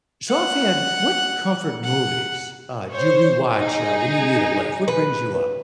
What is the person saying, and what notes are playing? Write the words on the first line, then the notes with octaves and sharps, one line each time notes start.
So, off the end, what comfort movies, uh, do you rewatch, uh, when you need a lift? What brings you up?
F#5
F#5
C5 C#5
D#4 G#4
B4